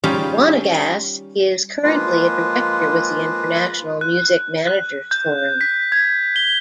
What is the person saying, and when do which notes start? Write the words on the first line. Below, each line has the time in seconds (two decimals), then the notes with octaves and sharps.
Wanagas is currently a director with the International Music Manager's Forum.
0.04 G3 C#4 D#4 F4 G4 G#4
1.84 F3 G#3 A#3 F4 B4
4.01 F#6
4.67 F#6
5.11 G6
5.61 B6
5.92 G#6
6.36 G7